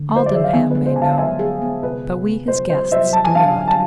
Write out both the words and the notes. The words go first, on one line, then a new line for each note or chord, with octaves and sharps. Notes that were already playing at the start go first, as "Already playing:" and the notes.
Aldenham may know, but we his guests do not.
Already playing: D3
A3
C5
D5
G#4 E5
F5
B3 E5 G#5
B4
G#3
C5
D3 G#5
F5 A5
G#3 E5 G#5
G#4
B3
C3 B4
C3
B3
C3 C5
G#3 C5
C3 C5 E5
F3 A5
G#5
D4 F5 A5
D3
A5